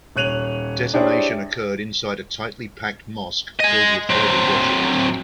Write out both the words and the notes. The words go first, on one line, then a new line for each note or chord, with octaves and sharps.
Detonation occurred inside a tightly packed mosque, filled with holiday worshippers.
D#1 C#5 F#6 D#7 F7 F#7
D4 E4 G4 G#4 C5 C#5
D#5 G#5
F#3 C4